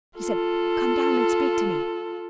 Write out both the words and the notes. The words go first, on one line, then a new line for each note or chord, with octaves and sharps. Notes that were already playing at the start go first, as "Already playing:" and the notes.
He said, 'Come down and speak to me!
F4 A4